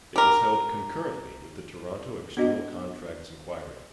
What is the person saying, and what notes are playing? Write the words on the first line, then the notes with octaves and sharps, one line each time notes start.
It was held concurrently with the Toronto External Contracts Inquiry.
G4 A#4
B3 D4 F#4 D#5